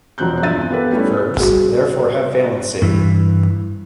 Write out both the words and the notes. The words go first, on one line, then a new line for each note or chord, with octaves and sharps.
Verbs therefore have valency.
E1 F3 F#3 C4 F#6 G6
E2 G2 F3 E5 A6 D#7
B3 F4 G4 A4 B4
G3 A3 C#4 E4
G3 F#4 G#4
G2 E3